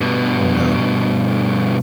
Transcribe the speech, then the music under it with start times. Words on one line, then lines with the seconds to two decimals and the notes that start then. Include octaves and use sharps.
Oh, no.
0.01 G2 B2